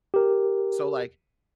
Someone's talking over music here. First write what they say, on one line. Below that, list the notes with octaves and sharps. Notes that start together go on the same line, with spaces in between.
So like
G4 A#4